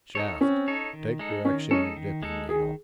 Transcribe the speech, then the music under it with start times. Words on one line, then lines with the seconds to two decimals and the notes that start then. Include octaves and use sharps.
Shafts: take direction of dipping needle.
0.15 D#4 A4 C#5
0.41 C4 C#4
0.68 D#4 A4 C#5
0.93 D#3
1.19 G#3 D#4 A4
1.45 D#3 C#4
1.71 G#3 C#4 D#4 A4
1.97 D#3
2.23 G#3 D#4 A4
2.49 D#3 G#4